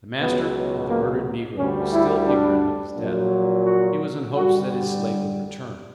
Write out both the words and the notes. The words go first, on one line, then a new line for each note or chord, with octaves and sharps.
The master of the murdered negro was still ignorant of his death; he was in hopes that his slave would return.
C#2 B2 F#3 B3
A#3
D2 D3 G3 C#4
E4
D4
A#1 A#2 F#3
F#4
G2 D3 G3 F#4